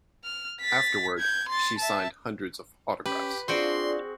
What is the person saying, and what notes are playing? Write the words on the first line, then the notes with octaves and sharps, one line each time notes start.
Afterward, she signed hundreds of autographs.
F6
A6 B6
G6 G#6
C6 A6
E5 A5
C#4 G4 B4
C4 D4 F4 F#4 G#4 D5 G5 C6